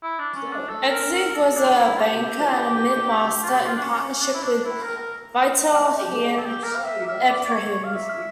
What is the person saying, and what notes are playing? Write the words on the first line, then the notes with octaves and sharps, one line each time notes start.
Itzig was a banker and a mintmaster in partnership with Veitel-Heine Ephraim.
E4
D4
C#4
D4
A4
A#4
A#4
A4
D4
E4
F4
G4
F4
G4
F4
D4
C#4
C#4
D4
E4
D4
E4
A#4
A#4
G4
G4
G4
A4
G4
A#4
F5
E5
E5
D5
D5
C#5
C#5
F5
E5